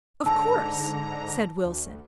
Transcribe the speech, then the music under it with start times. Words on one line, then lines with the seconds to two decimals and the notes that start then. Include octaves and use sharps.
"Of course," said Wilson.
0.24 G#2 D3 A5 A#5 E6
1.65 D2